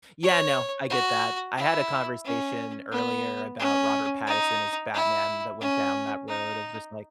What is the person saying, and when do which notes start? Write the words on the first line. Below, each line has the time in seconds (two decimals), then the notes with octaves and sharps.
Yeah, no. I get that. I had a conversation earlier about Robert Pattinson as Batman that went down that road of just, like
0.23 C#5
0.91 F#4
1.58 E4
2.25 C#4
2.92 B3
3.59 C#4
4.27 D#4
4.94 E4
5.61 C#4
6.29 D#4